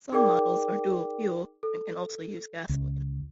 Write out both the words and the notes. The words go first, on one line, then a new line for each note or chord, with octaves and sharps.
Some models are dual fuel and can also use gasoline.
D#4 G#4 A#4 D5 G5 D6
A4
C#2